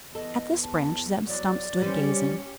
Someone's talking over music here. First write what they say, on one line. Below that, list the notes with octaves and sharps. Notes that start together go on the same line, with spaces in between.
At this branch Zeb Stump stood gazing.
E2 A4 D#5
A5
F#3 D5
G3 C#4 G4 B4 C5